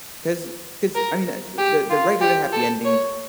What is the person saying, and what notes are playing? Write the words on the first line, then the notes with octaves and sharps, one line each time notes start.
'cause 'cause, I mean, uh, the the regular happy endings,
A#4
G4
F4
G4
A4
C#5